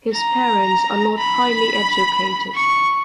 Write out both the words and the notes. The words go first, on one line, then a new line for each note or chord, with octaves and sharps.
His parents are not highly educated.
A#5
B5
C#6